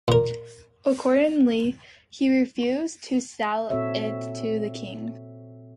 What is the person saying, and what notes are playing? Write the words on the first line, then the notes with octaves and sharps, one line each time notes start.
Accordingly, he refused to sell it to the king.
A#2 A#4
A#2 C4 F#4 A4 C#5 E5